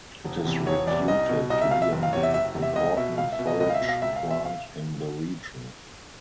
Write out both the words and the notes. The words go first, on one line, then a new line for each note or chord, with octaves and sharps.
It is reputed to be an important forage plant in the region.
E1
E2 C3 E3
E1 C#5
E2 C3 E3 D5
C2 D#5
B2
C2 D#5
E5
B2 F5
E5
F#1
F5
E2 C3 C#5
E5
F#1 E5
E2 C3
E5
C#2 D#5
B2 E5
C#2 F5
E5
B2
D#5
C#2 D#5
F5
E5
B2
F5
C#2 E5
F5
B2
E5
F5